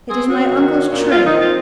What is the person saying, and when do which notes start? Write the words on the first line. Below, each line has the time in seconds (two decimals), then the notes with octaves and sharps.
"It is my uncle's trade."
0.09 C4 G#4
0.29 C#4 F#4
0.51 D#3
0.71 C#4
0.91 A#2
1.11 A#2 F4
1.25 D#4
1.33 C4
1.40 F4